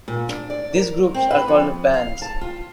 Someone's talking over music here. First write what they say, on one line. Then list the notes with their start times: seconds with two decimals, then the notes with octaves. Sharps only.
These groups are called bands.
0.08 A#2
0.29 D4
0.50 D5
0.75 A#4
1.14 C4
1.31 B4
1.48 F2
1.94 F5
2.22 A5
2.41 F4